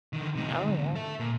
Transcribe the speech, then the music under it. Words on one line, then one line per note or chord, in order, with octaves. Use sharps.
Oh, yeah.
D3 D#3
C3 D#4
G#2 D3
A4 E5
A#2